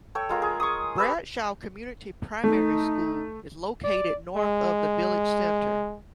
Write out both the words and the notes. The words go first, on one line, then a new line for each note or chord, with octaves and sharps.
Bradshaw Community Primary School is located north of the village centre.
A4 C#5 G5
G#3 F4 A#4
G#4
C#6 D#6
G4 B4 E6
A3 D#4
D5
G#3